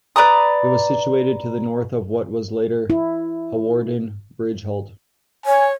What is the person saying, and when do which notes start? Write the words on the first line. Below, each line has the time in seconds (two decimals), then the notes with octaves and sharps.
It was situated to the north of what was later Hawarden Bridge Halt.
0.16 B4 D5 A#5 D#6
2.90 E4
5.46 C#5 G#5